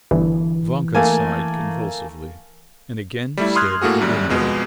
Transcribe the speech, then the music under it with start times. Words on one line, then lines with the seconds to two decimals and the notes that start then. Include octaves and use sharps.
Vanka sighed convulsively, and again stared at the window.
0.11 G1 E3
0.95 A3 A#3 G#5
3.37 G3 A3 E4
3.56 C6 D#6 F6 F#6 G#6
3.81 A2 A3 A#3 F#4 G#4
4.01 G#1 F#2 G3
4.29 F2 B2 G#3 B3